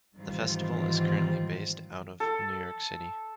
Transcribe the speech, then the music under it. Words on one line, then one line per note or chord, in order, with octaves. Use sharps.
The Festival is currently based out of New York City.
G#2 D#3 E3 G3 C4 F4
A4